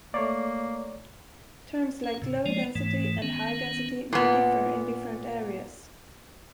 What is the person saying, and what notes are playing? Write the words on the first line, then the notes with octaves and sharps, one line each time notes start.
Terms like low density and high density may differ in different areas.
A3 A#3 C#5 D5
C#4
A2 C#3
F3 G#3 A#3 D5
G#2 E3 A3
D#3 B3 C#4
A#2 B3